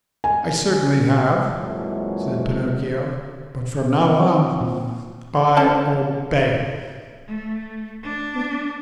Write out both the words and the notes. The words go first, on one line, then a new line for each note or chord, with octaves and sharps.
"I certainly have," said Pinocchio, "but from now on, I obey."
G#5
F2 A#2 E3 F#3 G#3 A3
C4
A#2
F3 C#4 A5
A3
D4